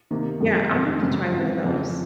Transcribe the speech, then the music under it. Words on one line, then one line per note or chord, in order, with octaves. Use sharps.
yeah, I'll have to try one of those.
C3 D#3 A#3
F#2 D#3 G#3 D#4
F1 F2 C3 F3
F#2 C#3 G#3
G#2 F#3 C4
F2 C#3 F3 C4